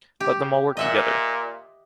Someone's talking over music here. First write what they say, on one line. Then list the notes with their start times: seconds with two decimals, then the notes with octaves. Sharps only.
Let them all work together.
0.20 G4
0.77 A#2 D#5 E5 F#5